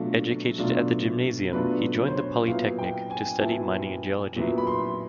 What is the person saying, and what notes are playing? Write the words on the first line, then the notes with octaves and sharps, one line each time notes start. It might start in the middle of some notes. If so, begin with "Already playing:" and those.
Educated at the Gymnasium he joined the Polytechnic to study mining and geology.
Already playing: B2 F#3 A3 D4 F4
B2 F#3 A3 D4 F4
B2 F#3 A3 D4 F4 B4
C#5
C5
C#5
A#2 F#3 B3 E4 F5
G5
G#5
A#2 F#3 B3 E4 A5
A#2 F#3 B3 E4
B5
C6